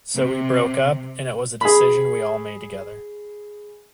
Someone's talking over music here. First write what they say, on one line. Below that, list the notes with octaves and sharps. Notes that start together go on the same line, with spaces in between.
So we broke up and it was a decision we all made together.
C3
G#4 B5